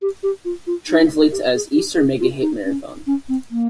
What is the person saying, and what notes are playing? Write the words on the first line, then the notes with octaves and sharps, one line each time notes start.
Translates as Easter Mega Hit Marathon.
G4
G4
F4
F4
D#4
G4
G#4
G4
G#4
F4
D#4
C#4
C#4
C4
A#3